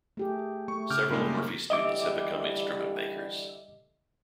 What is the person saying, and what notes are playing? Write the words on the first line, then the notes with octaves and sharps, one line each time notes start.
Several of Murphy's students have become instrument makers.
A3 G4 G#4
A3 C#6
C#3 D6 F6 G6
G2 C#3 G3 G#3 A#3 D#4
D3 E3 G3 D#5 E5 D6